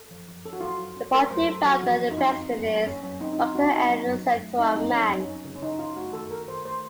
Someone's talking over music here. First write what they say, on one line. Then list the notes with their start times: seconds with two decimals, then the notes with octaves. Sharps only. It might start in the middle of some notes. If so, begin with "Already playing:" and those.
The party founder and president is Doctor N. Sethuraman.
Already playing: A4
0.11 F3
0.28 F3
0.45 C#4 A4
0.53 F#4
0.61 F#3 F4
0.68 F#4
0.80 F#3
0.97 C#4
1.14 A3 A#4
1.31 F#3 C5
1.48 F#3 A4
1.65 F#3 F#4
1.83 F3 F#4
2.00 F3
2.11 D#4
2.17 C4 F4
2.34 C4
2.52 A#3
2.69 F#3
2.86 C#4
3.03 F#3 C#4
3.21 C4 D#4
3.33 D#4
3.38 C4 F4
3.55 C4 F#4
3.72 C4 D#4
3.90 F#3
4.07 F#3
4.25 F#3
4.42 A3
4.58 C4 D#4
4.76 C4 D#4
4.93 F#3 C#4
5.06 F#3 D#4
5.20 C#4
5.28 F#3
5.45 C#3
5.56 C#4
5.62 C#3 D#4
5.79 C#3 F4
5.96 A3 F#4
6.13 D#3 A4
6.31 D#3 A#4
6.48 D#3 C5
6.65 A3 C5